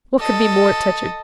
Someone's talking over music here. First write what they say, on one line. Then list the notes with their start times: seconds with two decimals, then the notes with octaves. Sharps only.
What could be more touching?
0.18 A4 D#5